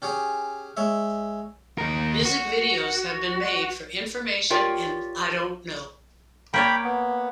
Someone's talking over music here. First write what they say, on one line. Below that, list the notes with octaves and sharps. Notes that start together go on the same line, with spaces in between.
Music videos have been made for "Information" and "I Don't Know".
C#4 G4 G#4 C#5
G#3 C#5 E5
D#2 A#4
F#4
F4 G4 A#4 C#5 D5 G5
A#3 C#5 D5 G5 B5
B3